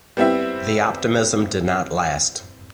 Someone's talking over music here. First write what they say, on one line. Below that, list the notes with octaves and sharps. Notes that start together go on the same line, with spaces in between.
The optimism did not last.
G3 B3 C4 E4 E5